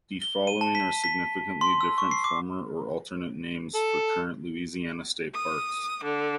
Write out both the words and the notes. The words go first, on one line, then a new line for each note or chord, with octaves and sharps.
The following are significantly different former or alternate names for current Louisiana state parks.
G7
D#7
A5
B6
B6
C6
E6
C#6
C7
D6
A4
D#6
D3